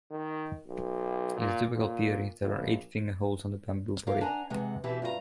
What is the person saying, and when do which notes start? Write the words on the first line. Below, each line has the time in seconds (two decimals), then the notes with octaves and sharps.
In the typical piri, there are eight finger holes on the bamboo body.
0.11 D#3
0.67 B1
1.36 A#2
1.73 A#2
2.41 A#1
4.07 F4 G4 A#4 C#5 F5
4.21 D4 F#5 G#5 A#5
4.50 C3 E3 G#3 F#5
4.84 B2 E3 C4 E4 G4
5.02 G2 F4 F#4 A#5